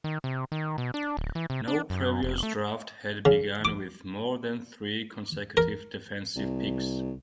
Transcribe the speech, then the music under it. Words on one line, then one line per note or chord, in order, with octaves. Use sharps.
No previous draft had begun with more than three consecutive defensive picks.
D#3
C3
D#3
B2
D4
D1
E3
C3
D4
F#2
F1
A3
C#3
D6
A#4
C2